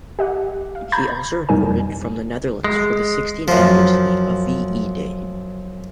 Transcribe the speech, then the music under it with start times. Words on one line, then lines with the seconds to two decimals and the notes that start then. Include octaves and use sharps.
He also reported from the Netherlands for the sixtieth anniversary of V-E Day.
0.19 G4 D#5 F#5
0.75 F5
0.92 A#5 B5 G6 G#6
1.49 F2 B2 G3 D#4 A#4 G#5
2.64 G#3
3.48 F#2 F3